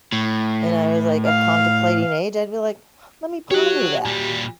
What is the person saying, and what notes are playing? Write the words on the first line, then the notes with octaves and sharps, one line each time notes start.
and I was like of contemplating age, I'd be like, "Let me ponder that."
A2
F5
F#4 G4 C#5 F#5
A#2 G3